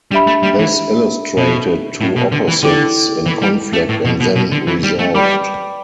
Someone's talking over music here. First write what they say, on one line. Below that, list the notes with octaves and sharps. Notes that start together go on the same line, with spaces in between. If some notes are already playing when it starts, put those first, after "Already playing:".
This illustrated two opposites in conflict and then resolved.
G3 D4 G4 E5 B5
A3
G3
E3
B2
A2
B2
D3
E3
D3 E4 A4 D5 G5 D6
E3
G3
A3
A2
B2
B2
B2
D3
E3
G3
A3
G3 B4 D5 G5 B5 D6